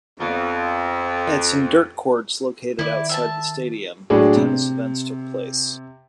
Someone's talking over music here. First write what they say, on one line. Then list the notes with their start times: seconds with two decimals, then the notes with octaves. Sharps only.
At some dirt courts located outside the stadium, the tennis events took place.
0.20 F2 B3 F4 D5
2.79 D#3 E4 D5
3.09 E5 G5 A5
4.10 A2 F#3 D4 G#4
4.36 C3